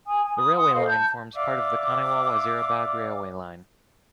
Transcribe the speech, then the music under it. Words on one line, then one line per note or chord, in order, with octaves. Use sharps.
The railway line forms part of the Khanewal-Wazirabad railway line.
G#5 D#6
G#5
B5 D#6
F#5 C6 D#6
A4 C5 D#5 F5
A5 B5 G6
D5 E5 F5 D6